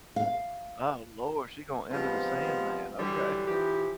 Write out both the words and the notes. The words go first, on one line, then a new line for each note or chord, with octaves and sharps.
Oh, lord, she gonna Enter the Sandman, okay.
F5
G2 F3 G3 G#3 B3 C4
D3 E3 F#3 G3
B2 E3 F3 G4